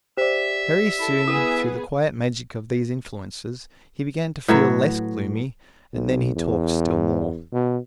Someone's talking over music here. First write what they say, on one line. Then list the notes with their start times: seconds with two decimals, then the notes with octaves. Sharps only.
Very soon, through the quiet magic of these influences, he began to feel less gloomy, and then he talked still more.
0.17 G4 C5 D5 E5
0.99 E4 A4
1.28 B3 E4 G#4 A4 B4 D#6
4.48 A2 F#3 B4 E5
5.93 B1
6.36 E2
7.52 B2